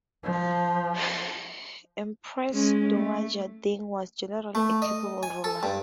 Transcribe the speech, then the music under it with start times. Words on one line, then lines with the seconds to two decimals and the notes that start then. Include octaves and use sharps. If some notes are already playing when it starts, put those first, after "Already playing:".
Empress Dowager Deng was generally a capable ruler.
0.23 F3
2.52 G#3 C#4
2.95 A3
4.55 A3
4.82 D#5
5.23 G#5
5.44 A4
5.63 G2